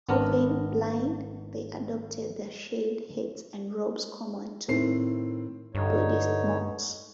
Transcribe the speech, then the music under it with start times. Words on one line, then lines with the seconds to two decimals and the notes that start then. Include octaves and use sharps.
Often blind, they adopted the shaved heads and robes common to Buddhist monks.
0.09 G#1 B3 D4 A#4
4.68 A2 D#3 C4 C7
5.75 G2 D3 D#4 C#5